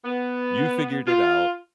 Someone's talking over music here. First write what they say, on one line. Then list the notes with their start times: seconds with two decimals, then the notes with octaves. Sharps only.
you figured it out,
0.05 B3
1.07 F4